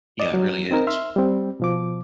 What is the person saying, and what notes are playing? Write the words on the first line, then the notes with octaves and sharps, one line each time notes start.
Yeah, it really is.
D5 D#5
F#3
C4 D#4 A#4
E5 C6 E6 F6
G3 C4
B2 F3 D6